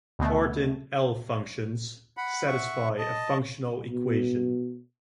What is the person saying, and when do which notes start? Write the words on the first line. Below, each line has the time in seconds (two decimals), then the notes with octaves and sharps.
Artin L-functions satisfy a functional equation.
0.19 D2 B2 A3
2.17 F#5 B5
2.47 E5 F#5 C#6
2.98 D#5 A5
3.90 B2